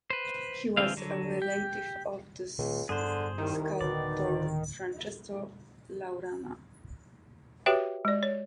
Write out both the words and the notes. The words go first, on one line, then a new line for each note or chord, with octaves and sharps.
He was a relative of the sculptor Francesco Laurana.
B4 C5
D3 E3 C4 F5
D3 F#3
G4
C#2 A#2 D#3 A#3
G2 D3 G3 B3 G#4 C5
C2 D#3
D1 B2 D3 D5
F#4 G4 B4 C#5 E5 G5
G#3 D5
C#5